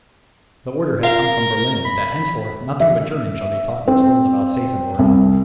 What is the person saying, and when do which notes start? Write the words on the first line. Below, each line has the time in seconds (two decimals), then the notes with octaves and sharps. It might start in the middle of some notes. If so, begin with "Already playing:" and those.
The order has come from Berlin that henceforth nothing but German shall be taught in the schools of Alsace and Lorraine.
1.03 F4 A#4 F5
1.85 B5
2.80 E5
3.88 C4
4.99 C2